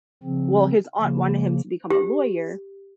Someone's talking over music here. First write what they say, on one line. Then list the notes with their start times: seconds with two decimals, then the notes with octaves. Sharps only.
well, his aunt wanted him to become a lawyer,
0.23 C#3 F3 C4
1.00 C#3 F3 A#3
1.90 G4